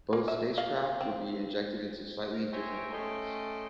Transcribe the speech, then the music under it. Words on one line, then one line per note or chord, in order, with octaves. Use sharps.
Both spacecraft would be injected into slightly different orbits.
A#3
E5
F5
C4
A#4 A#5
C5 C#5 E5 G5 G#5 A#5
A3 C#4 A4 D#5 G5 C6